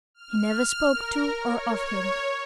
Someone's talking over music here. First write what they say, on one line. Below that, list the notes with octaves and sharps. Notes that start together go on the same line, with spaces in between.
He never spoke to or of him.
F6
A#4
C#5